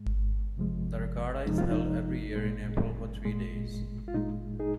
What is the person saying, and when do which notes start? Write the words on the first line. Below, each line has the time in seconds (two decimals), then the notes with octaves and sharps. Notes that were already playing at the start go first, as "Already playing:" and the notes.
The regatta is held every year in April for three days.
Already playing: G#2 G#3
0.57 F2 C3 F3 G#3
1.46 F2 C3 F3 G#3 D#4
1.58 F4
1.71 D#4
2.36 A#2 G#3
3.25 A#2 G#3
4.08 F4
4.14 A#2 G#3 D#4
4.59 D#4 G#4